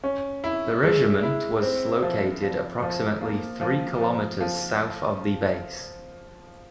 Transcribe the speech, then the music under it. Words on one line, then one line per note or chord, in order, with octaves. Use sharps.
The regiment was located approximately three kilometers south of the base.
C#4
E4
G#3
E4
C4
F3
F3
F3
A#3
F3
F3
F3